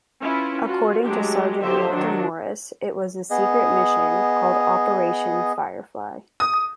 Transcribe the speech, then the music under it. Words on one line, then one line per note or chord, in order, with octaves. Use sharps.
According to Sergeant Walter Morris, It was a secret mission called Operation Firefly.
C#4 E4 F4 B4
F4 F#4
F#3 G#3 A3 D4 G4
D3 F#3 G4 C5 D#5 E5
D#3 F#3 D4
B3 G#4 D#5
D#6